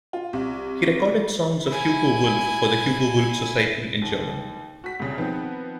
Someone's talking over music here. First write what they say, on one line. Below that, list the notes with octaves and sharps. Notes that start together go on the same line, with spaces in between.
He recorded songs of Hugo Wolf for the Hugo Wolf Society in German.
F4
C2
E4 G#5
D#2
F#4 B6
C2 C#3
D#3 F3 B3 C4